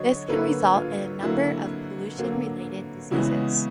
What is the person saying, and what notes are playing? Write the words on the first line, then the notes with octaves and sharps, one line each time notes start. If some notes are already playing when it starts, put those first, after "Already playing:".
This can result in a number of pollution-related diseases.
Already playing: D3 F#3 C#5 D#5
D3 F#3 A#3 A4 B4
F4
D3 F#3 A#3 E4
D3 F#3 A#3
C#3 E3 G#3 B3 E4 F#4